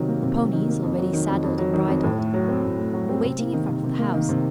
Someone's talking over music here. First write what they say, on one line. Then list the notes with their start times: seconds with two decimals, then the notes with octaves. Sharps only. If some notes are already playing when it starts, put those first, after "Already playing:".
The ponies, already saddled and bridled, were waiting in front of the house.
Already playing: C3 D#3 F#3
0.08 A#3
0.23 C3
0.38 F#3
0.53 D#3
0.68 A#3
0.83 F2
0.98 F#3
1.13 D#3
1.28 F2
1.43 F2
1.58 F#3
1.73 D#3
1.88 F2
2.03 A2
2.18 A3
2.34 F#3
2.48 C4
2.63 A2
2.79 A3
2.93 F#3
3.09 C4
3.24 C3
3.38 A#3
3.53 D#3
3.68 C3
3.84 C3
3.99 A#3
4.14 D#3
4.29 C3